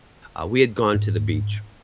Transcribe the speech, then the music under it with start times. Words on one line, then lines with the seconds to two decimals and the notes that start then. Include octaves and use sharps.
uh, we had gone to the beach,
0.95 G#2